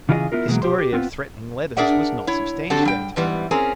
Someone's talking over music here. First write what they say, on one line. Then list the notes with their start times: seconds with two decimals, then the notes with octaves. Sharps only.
His story of threatening letters was not substantiated.
0.09 C#3 E3 F4 G#4 A#4 D#5
0.32 B3 E4 F4 A#4
0.48 B2 E3 F#3 G#3 A#3 B3
0.62 B1 G4 C5 C6
0.78 G4
0.93 B3 C4 F4
1.77 D4 G#4 A#4 D5 E5 F#5
2.27 E4 C#5
2.70 D3 C4 F#4 G4 A4
2.85 G3 G5
3.16 G#2 E3 G3 B3
3.51 C4 C#4 G#4 A#4